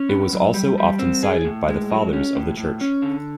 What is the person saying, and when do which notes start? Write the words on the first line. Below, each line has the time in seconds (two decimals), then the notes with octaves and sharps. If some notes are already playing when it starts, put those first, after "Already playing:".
It was also often cited by the Fathers of the Church.
Already playing: C#4
0.09 B3
0.33 F#3
0.54 G3
0.78 G3
0.99 C4
1.23 G#4
1.45 A2
1.68 G#3
1.90 F#3
2.13 C#4
2.35 A2
2.57 A2
2.81 C#4
3.02 D3